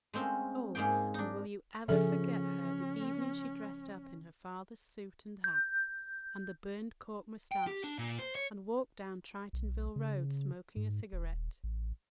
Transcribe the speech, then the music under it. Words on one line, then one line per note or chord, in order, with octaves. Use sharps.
O, and will you ever forget her the evening she dressed up in her father's suit and hat and the burned cork moustache and walked down Tritonville road, smoking a cigarette.
G#3 A3 C4 C#4 F5
G#2 G#3 A#3 G#4 G5
D4 D#4
C#3 F3 C#4 G#4 A4 E5
G6
G5
G4
D4
A#2
C5
C#5
B1
C#3
G#2
D#1
A1